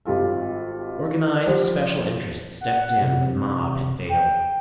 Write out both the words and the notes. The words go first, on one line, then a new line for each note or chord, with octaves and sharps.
Organized special interests stepped in where the mob had failed.
G#1 G3 F4 A4
F3 G3
F#5
C3
G5